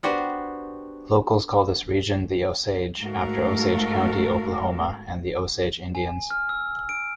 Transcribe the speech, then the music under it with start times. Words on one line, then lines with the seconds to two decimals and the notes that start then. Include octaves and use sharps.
Locals call this region "The Osage" after Osage County, Oklahoma and the Osage Indians.
0.03 B3 D4 F#4 G4 C5
3.01 G#2 A3 F#4 A4 A#4 F5
5.95 G#5
6.30 F6
6.49 E6
6.89 D7